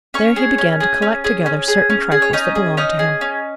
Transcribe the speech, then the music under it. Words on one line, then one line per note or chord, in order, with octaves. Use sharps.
There he began to collect together certain trifles that belonged to him.
C#4 C#5 C#6
G#4
C#4
G#4
C#4
G#4
C#4
G#4
C#4
G#4
C#5
C#4 D#4 D#5
G#4
C#4 D#4 D#5
G#4
C#4